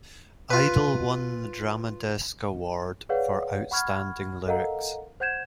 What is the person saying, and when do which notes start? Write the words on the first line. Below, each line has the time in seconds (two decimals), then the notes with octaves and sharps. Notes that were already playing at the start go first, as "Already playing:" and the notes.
Idle won the Drama Desk Award for Outstanding Lyrics.
0.50 F4 B4
3.09 G#4 B4 C#5 D5 F5 F#5
3.71 F#5 B5 C#6 F6 G#6
4.46 A4 A#4 D#5 F5 F#5 A#5
5.20 C5 F#5 G6 G#6 E7